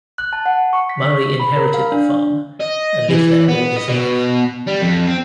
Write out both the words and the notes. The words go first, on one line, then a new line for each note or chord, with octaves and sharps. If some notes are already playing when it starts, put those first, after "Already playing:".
Murray inherited the farm and lived there all his life.
F#6
A5
F#5
C#6
B6
B5
A#4
F5
D4
D#5
E3
B3
D#5
B2
G3
F2
C4